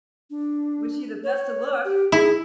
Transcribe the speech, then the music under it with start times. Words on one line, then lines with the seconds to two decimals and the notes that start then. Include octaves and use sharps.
wish you the best of luck.
0.30 D4
1.24 C#5
1.85 G4
2.12 E4 G#4